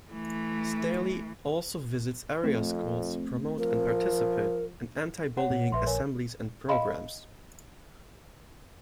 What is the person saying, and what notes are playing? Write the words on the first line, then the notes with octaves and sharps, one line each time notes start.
Staley also visits area schools to promote and participate in anti-bullying assemblies and programs.
E3 A3
F2 A3 C4
F3 A#4
C#5 F#5
A#2
A#1 B4 E5 C6
A#4 C#5 G#5
D#5 F5 B5 C6